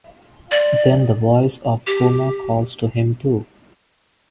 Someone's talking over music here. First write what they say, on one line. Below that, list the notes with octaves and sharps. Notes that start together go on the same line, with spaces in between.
Then the voice of Groma calls to him too.
D5
G4